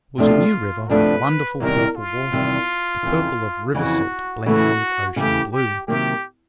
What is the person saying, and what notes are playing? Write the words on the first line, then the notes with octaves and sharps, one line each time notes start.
It was a new river, with wonderful purple water--the purple of river silt blending with ocean blue.
C3 F3 A3 D4 F4
C3 F3 A3 D4 B4
E2 C3 D#3 G3 A#4
F4
E2 C3 D#3 G3
F2 C#3 E3
F2 C#3 E3 F#4
C#3 E3 A3 F#4
C#3 E3 A3 G4
G4
C3 D#3 F#3 A#3 G4